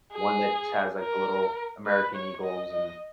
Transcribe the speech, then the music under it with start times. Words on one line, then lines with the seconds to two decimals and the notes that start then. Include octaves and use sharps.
one that just has, like, the little American eagles and
0.13 G#4
0.99 A#4
1.86 B4
2.15 C#5
2.44 D#5
2.72 D#5